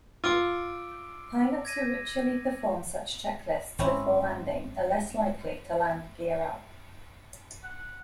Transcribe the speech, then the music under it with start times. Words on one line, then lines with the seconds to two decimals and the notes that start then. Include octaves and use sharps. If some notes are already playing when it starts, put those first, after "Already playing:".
Pilots who ritually perform such checklists before landing are less likely to land gear-up.
0.24 F4 D6 E6 D7
1.65 G#6 A#6 D#7
3.79 G#1 C4 C#4 E4
7.64 F#5